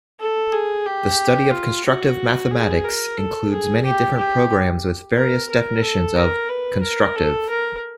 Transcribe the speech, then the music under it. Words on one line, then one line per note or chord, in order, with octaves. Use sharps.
The study of constructive mathematics includes many different programs with various definitions of "constructive".
A4
G#4
G4
F4
F#4
G#4
A#4
A4
G#4
G4
G4
A#4
A#4
A4
A#4
B4
A#4
A4
A#4